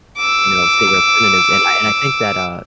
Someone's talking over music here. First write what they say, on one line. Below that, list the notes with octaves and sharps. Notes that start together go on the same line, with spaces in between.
you know, state representatives and I and I think that, uh,
D6 E6